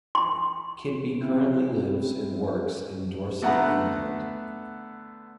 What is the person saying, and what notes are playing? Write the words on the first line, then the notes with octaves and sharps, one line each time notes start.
Kidby currently lives and workes in Dorset, England.
C6
C#3 C4 E4
D3 A3 B3 F#5 A#5